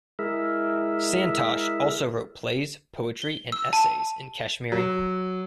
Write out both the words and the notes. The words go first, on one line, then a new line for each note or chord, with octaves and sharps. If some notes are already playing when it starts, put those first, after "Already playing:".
Santosh also wrote plays, poetry and essays in Kashmiri.
G#3 E4 G#4 A#4 E5
G7
E6
A5
F#3